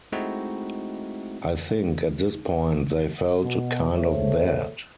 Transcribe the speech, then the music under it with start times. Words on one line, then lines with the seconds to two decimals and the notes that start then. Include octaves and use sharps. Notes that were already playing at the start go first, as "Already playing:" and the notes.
I think at this point they felt kind of bad.
0.12 G#3 A3 C4 D#4 E4 F#4
3.43 B2
3.94 A#2 G#4 A4 C5 C#5 E5